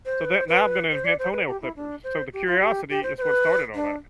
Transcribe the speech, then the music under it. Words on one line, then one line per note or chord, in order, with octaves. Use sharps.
So that now I'm gonna invent toenail clippers. So, the curiosity is what started all that.
C5
B4
C5
B4
C5
D5
C5
B4
G4
E4
D4
C5
G4
F4
G4
G4
C5
C5
B4
D4